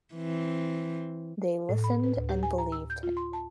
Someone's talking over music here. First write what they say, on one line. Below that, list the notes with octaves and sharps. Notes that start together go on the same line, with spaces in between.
They listened and believed him.
E3 C4
A2
B5
B4
D2
G4
G#5
A#5
E6
G6
F4
C6
A5